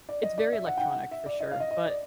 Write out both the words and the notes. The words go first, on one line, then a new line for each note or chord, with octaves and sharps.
it's very electronic for sure, but
D5
D#5
D5
E5
F#5
G5
F#5
E5
D5
D#5
F5
D#5
D#5
D5